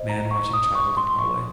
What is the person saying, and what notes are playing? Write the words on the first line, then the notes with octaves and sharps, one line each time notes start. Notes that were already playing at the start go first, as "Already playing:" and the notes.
Man watching child in hallway.
Already playing: C5 D#5
A#5
C#6
D#6
C#6
C6
C#6